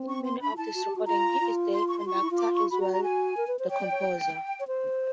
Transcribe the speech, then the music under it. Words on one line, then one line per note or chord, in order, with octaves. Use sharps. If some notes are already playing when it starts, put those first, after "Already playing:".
In many of these recordings, he is the conductor as well the composer.
Already playing: C4
C#6
C6
D4 B5
F4
E4 A5
F#4
G4
F#4
F4 A#5
F4
C6
C#6
C6
F#4 C#6
F4
E4
F4
D6
C#6
F#4 B5
A#5
A#5
G#5
A#4
B4
C5
C#5 G5
D5
C#5
C#5
C5